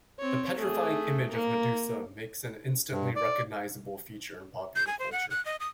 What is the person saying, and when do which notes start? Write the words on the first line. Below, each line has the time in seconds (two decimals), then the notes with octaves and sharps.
The petrifying image of Medusa makes an instantly recognizable feature in popular culture.
0.19 C4 C#5
0.56 A3 G#4
1.31 A#3
2.92 G2
3.16 D5
4.76 G6
4.87 G#5
4.99 C5
5.12 F#5
5.31 F#6
5.45 D#5
5.60 D#6